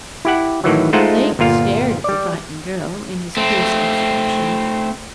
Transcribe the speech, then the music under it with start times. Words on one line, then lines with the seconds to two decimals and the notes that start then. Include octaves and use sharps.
Lake stared at the frightened girl, in his fierce abstraction.
0.25 E4 G4 F#5
0.64 A2 D#3 E3 F#3
0.93 G#3 A3 D#4 F4 C5 F#5
1.39 G1 A#2 F4 F5
2.04 G3 D5
3.37 A3 C4